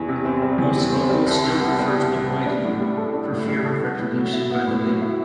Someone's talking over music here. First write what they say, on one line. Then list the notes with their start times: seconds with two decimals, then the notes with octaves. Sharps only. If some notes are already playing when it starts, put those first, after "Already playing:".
Most locals still prefer to avoid him, for fear of retribution by the Lady.
Already playing: E2 G3
0.08 C3
0.25 C4
0.42 G3
0.58 E2
0.76 C3
0.92 C4
1.09 G3
1.26 C2
1.44 C3
1.60 B3
1.79 G3
1.95 C2
2.11 C3
2.29 B3
2.46 D4
2.64 A2
2.81 G3
2.97 A4
3.14 D4
3.32 A2
3.48 G3
3.65 A4
3.82 B3
3.99 A2
4.16 F#3
4.33 E4
4.51 B3
4.67 A2
4.84 F#3
5.01 E4